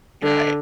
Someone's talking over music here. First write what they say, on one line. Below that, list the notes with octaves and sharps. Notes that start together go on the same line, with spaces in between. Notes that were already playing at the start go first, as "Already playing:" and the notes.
You're right.
D3